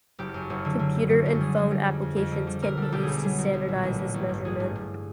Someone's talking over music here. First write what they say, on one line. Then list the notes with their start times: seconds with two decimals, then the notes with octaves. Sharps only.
Computer and phone applications can be used to standardize this measurement.
0.19 F#1 G4
0.34 F#2
0.50 F#1
0.65 D3
0.79 D3
0.95 D3
1.10 F#1
1.26 F#2
1.40 G3 G#4
1.56 G3
1.71 G3
1.86 F2
2.02 F2
2.16 F2
2.32 D3
2.47 G3
2.62 B1 A#4
2.77 G3 A4
2.92 B1 G4
3.02 G#4
3.08 B1
3.23 G3
3.39 B1
3.54 B1
3.68 A#2
3.83 A1
3.99 A1
4.14 A1
4.29 G2
4.45 A1 G#4
4.60 G2
4.75 G2